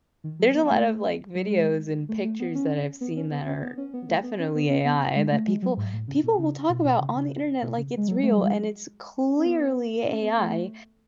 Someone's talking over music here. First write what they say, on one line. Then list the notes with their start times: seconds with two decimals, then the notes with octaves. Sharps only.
there's a lot of, like, videos and pictures that I've seen that are definitely AI that people people will talk about on the internet like it's real and it's clearly AI.
0.24 D#3
0.39 F#3
0.55 B3
0.70 A3
1.35 F#3
1.47 G#3
2.09 A3
2.24 A3
2.40 B3
2.55 C#4
3.01 B3
3.17 C#4
3.31 B3
3.47 C#4
3.63 B3
3.78 C#4
3.94 B3
4.09 A3
4.23 B3
4.39 C#4
4.55 B3
4.70 C#4
4.85 B3
5.16 G#3
5.32 A3
5.47 G#3
5.62 F#3
5.77 G#2
5.93 A2
6.08 C#3
6.23 B2
6.38 C#3
6.70 B2
6.85 B2
7.00 C#3
7.15 C#3
7.62 B2
7.77 C#3
7.97 G#3
8.08 F#3
8.23 A3
8.31 G#3
8.38 F#3
8.46 G#3
9.39 C#4
9.46 B3
10.08 C#4
10.22 B3
10.38 A3